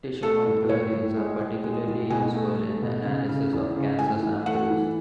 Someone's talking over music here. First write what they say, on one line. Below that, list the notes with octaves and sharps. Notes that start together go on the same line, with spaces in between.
Tissue microarrays are particularly useful in analysis of cancer samples.
A3 A4
A2
A2 C#5
A2
G#3
A2
G#3
A2
B2 G#5
A3
A3
B2
C#3
C#3
E2
C#3
A2 G#5
E3
A3 F#5
E3